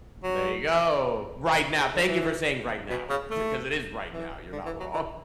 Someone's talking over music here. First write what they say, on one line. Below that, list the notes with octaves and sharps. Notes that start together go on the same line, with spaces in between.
There you go. Right now. Thank you for saying, "Right now." Th 'cause it is right now, you're not wrong.
F#3
C#3
D3
E3
B2
C#3
A3
E3
D3
E3
F#3
E3